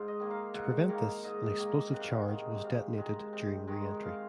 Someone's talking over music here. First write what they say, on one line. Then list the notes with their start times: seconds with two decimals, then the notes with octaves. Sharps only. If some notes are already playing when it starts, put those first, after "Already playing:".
To prevent this, an explosive charge was detonated during reentry.
Already playing: G#2 C5 F5
0.08 D#5
0.20 D#3 A#3
0.31 F5
0.54 G#2 F#5
0.89 D#3 A#3 F5
1.24 G#2 D#5
1.58 D#3 A#3
1.93 C3 F#5
2.01 F5
2.08 F#5
2.28 D#3 G#3
2.63 C3 F5
2.98 D#3 G#3
3.33 C3
3.67 D#3 G#3
4.02 C3 F5